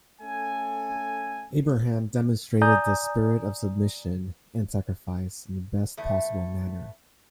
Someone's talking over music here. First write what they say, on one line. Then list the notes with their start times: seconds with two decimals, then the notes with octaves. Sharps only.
Abraham demonstrated this spirit of submission and sacrifice in the best possible manner.
0.21 A3 C#4 A4 G#5
2.61 D5 G#5 A#5 D#6 G6
5.97 E2 A3